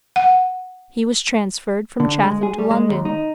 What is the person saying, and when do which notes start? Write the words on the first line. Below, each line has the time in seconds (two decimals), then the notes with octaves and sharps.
He was transferred from Chatham to London.
0.16 F#5
2.00 D3
2.23 G#3
2.43 G#4
2.58 G3
2.71 G#3
2.89 D#2
3.05 D#4